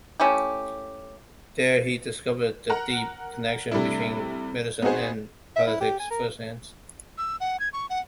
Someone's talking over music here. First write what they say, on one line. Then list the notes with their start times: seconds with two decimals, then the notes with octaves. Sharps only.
There he discovered the deep connection between medicine and politics firsthand.
0.20 A3 C#4 E4 G4
2.70 A#4 F#5 A#5
3.71 C3 G3 A3 D4 E4
4.82 B3 C4 D#4 F#4 G#4 C5
5.56 E5
5.67 E4
5.81 G4
5.99 G#5
6.11 A#4
7.18 E6
7.40 F#5
7.60 G#6
7.73 C#6
7.90 F#5